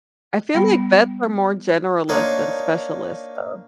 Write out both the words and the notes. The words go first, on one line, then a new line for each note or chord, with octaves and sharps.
I feel like vets are more generalist than specialist though.
G3 B3
A#3 D4 D#4 C5 C#5 D#5